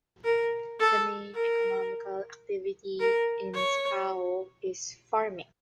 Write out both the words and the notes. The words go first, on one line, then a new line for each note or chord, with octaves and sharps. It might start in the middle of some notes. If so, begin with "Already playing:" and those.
The main economical activity in Spaoh is farming.
A#4
A4
A#4
A#4
C#5